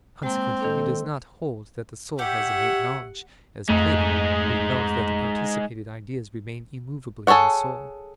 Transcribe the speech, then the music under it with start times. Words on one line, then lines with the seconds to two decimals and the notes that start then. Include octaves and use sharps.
Consequently he does not hold that the soul has innate knowledge, as Plato, who held that the participated ideas remain immovably in the soul.
0.23 G#3 A#3 C4
0.61 D#3 A#3 D4 A4
2.19 G4 C#5 E5 F#5
3.69 F2 G#2 G#3 A3 D#4
7.27 G#4 A4 C5 C#5 F#5